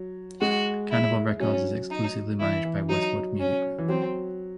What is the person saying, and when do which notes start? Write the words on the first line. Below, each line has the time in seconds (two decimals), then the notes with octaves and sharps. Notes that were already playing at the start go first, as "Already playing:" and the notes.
Carnival Records is exclusively managed by Westwood Music Group.
Already playing: F#3
0.41 G#3 F#4
0.91 E4
1.40 F#3 C#4
1.91 D#4
2.40 E3 E4
2.65 E3
2.89 F#3 D#4
3.40 C#4
3.78 E3
3.88 F#3 C4